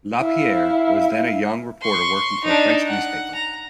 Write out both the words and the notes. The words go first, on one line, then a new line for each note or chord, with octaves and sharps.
Lapierre was then a young reporter working for a French newspaper.
E4 F5
C6 C#6
D4 D#4
F#5
A#5